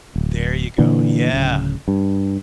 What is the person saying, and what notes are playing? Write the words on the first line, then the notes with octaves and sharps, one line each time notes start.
There you go, yeah.
D1
A#2 D3 E3
D1 C#3
G2